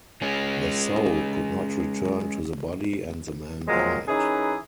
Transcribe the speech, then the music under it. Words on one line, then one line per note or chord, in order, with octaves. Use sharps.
The soul could not return to the body and the man died.
G#3 C#4
A#2 F3 F#3 G#3 C4 A#4
E3 C#4 D#4 G#4 A#4 B4